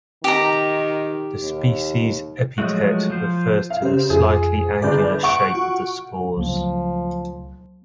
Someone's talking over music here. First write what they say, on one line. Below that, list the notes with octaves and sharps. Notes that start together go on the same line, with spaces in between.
The species epithet refers to the slightly angular shape of the spores.
D#3 G4 A#5
D#2
F3 F#3 G#3 A3 F#4
F3 C5
F5
C#3 G4 C5
F2 F4 G#4
G1 G#4 C5 D5 G6
F#5 C#6 D7
F4 F#4
C#2 C#3 F3 F#3 A3 A#3